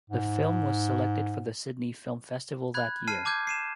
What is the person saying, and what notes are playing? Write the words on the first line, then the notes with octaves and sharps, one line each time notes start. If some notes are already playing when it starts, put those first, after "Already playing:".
The film was selected for the Sydney Film Festival that year.
G#2
B5 F#6 G#6
A5 F6 C7 D#7
A5 D6 F6 G6 G#6
C7 D#7 E7